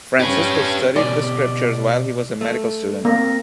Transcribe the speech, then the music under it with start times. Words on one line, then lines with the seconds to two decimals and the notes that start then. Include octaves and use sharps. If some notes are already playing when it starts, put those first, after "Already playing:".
Francisco studied the scriptures while he was a medical student.
0.20 C#4 G4 B4
0.96 B2 G4 D5 D#5
2.41 A3
3.05 A#3 C4 A#6